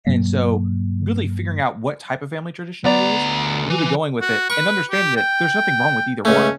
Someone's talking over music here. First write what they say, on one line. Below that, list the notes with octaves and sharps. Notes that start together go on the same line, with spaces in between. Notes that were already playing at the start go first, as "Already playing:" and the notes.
And so really figuring out what type of family tradition it is and really going with it and understanding that there's nothing wrong with either one,
G2 B2 F#3 A#3
D2 B3 D5 A#5
E3
F#4
B4 C#6
G4
G5
C#2 A3 C#4